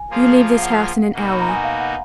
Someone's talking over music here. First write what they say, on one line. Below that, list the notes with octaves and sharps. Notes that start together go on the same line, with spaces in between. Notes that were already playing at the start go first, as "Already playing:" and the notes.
You leave this house in an hour.
Already playing: G#5
F3 A#3 F4 G#4
F5
F#5
B2 A#3 D#4 F#4
B5
A#5
G#5
F#5
F5
F#5